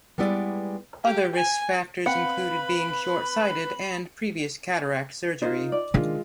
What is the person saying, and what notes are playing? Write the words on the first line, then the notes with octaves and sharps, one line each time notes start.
Other risk factors include being short sighted and previous cataract surgery.
G3 G#3 B3 E4 D5
G4
G#5
C4 B4 F5 F#5 B5
D#4 F4 A#4 C5 D#5
D5
D#3 G#3 D4 F4